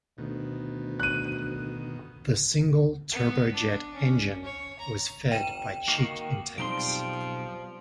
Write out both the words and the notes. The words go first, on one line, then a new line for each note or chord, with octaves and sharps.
The single turbojet engine was fed by cheek intakes.
D2 B2 D#3
F#6 D#7
B3
D4
C#4
C#5
A#5
G1 G5 D#7 E7
D#3 A#3 F#4
B1 F3 G3 C4 D#4 C6 D7